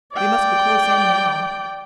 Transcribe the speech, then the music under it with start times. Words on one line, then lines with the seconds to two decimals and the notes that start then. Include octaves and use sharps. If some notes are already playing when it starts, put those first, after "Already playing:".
We must be close in now!
0.14 D5 G5